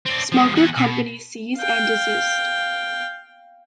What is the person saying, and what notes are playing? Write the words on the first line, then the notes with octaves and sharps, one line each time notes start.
Smucker Company cease and desist.
C4 D4
F3 G#3
E2 F#5
B2
F5 G5